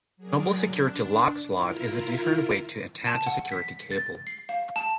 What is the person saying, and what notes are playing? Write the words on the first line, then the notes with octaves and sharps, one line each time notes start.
The Noble security lock slot is a different way to attach a security cable.
F#3 G#4 A#4 D5
D4
E4 F4 A#4
A5
F#5
B6
A6
C7
F5
A5